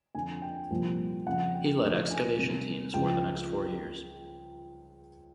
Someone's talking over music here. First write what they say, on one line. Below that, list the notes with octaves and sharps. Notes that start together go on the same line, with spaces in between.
He led excavation teams for the next four years.
F2 D3 F3 G#5
G5
C2 A#2 F3
F2 C#3 F3 F#5
G5
D2 D3 F3
G#5
C2 C3 D#3
C#2 C#3 F3 G5